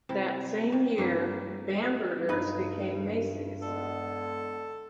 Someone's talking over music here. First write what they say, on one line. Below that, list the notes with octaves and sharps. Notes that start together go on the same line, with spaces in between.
That same year, Bamberger's became Macy's.
C3 E4
C3
G2 A#3 E4
G2 D#4 B4
D3 G#3 B3 A4